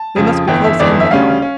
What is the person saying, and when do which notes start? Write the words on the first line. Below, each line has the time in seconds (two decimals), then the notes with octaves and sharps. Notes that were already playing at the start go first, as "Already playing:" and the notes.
We must be close in now!
Already playing: A5
0.16 F2 C#3 F3
0.47 G1 F2 E3 G5
0.64 E5
0.79 G1 F2 E3 D5
1.00 E5
1.11 D2 C#3 G3 C#4 F5
1.42 C#4